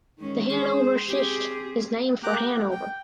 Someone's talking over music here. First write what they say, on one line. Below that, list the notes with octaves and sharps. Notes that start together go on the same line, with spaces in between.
The Hanover Schist is named for Hanover.
D#3 G#3 C#4
G#4 C5
C4 G4 G#4
A#3 G4 G5 A#5 D6 F#6
F#5
G5